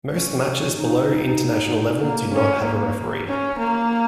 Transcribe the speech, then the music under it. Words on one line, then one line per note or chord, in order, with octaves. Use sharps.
Most matches below international level do not have a referee.
C#4
D#4
A#3
C#4
A#3
C#4
A#3